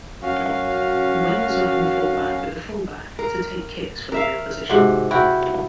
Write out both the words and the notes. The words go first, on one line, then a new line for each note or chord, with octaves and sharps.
Wingers often fall back with the fullback to take kicks from the opposition.
F#2 C#4 F#4 F5
A#4
A#4 E5 F5
G#2 C3 F#4
E4 F#4 G5